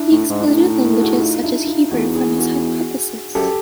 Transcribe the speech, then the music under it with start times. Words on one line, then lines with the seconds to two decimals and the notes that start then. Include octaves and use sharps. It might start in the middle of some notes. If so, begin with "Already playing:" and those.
He excluded languages such as Hebrew from his hypothesis.
Already playing: D4 E4
0.11 A2
0.30 G#2
0.40 D4
0.47 A2 D#4
0.59 D#4
0.65 D4
0.83 D#4
0.93 A4
1.01 F#4 G#4
1.19 D#4 F4
1.43 D4 E4
1.67 D#4 F4
1.91 E2 F#4 G#4
2.15 F#4 G#4
2.39 F#4 G#4
3.35 F#2 G4 A4